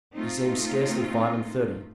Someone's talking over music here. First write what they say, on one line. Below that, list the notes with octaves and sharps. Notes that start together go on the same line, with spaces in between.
He seemed scarcely five and thirty.
A3 C4 D#4 F4